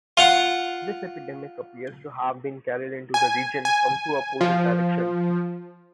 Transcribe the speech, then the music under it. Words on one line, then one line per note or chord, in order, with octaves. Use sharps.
This epidemic appears to have been carried into the region from two opposing directions.
F4 F5 F#5
G#5
G#5
F3